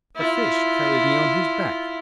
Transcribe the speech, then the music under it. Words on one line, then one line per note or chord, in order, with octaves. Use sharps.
'A fish carried me on his back.'
E4 F4